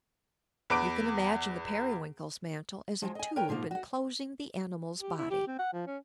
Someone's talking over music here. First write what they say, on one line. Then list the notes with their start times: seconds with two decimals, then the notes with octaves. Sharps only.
You can imagine the Periwinkle's mantle as a tube enclosing the animal's body.
0.70 E2 B4 D6 D7
3.02 F3 F#3 G#3
3.15 D#5 G#5
3.36 A#4 B4 C#5 G5
3.48 G#2 B2 F3 G3 A#3
3.71 F#4 F#5
5.00 G4
5.18 E4
5.30 G4
5.47 C4
5.59 F#5
5.73 F3
5.87 C#4